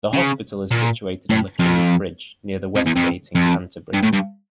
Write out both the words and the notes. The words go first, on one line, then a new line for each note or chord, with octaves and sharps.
The hospital is situated on the King's-bridge, near the Westgate, in Canterbury.
C#3
A#2
A2
F2
F2
E2
F2
F2
G2
A2
G2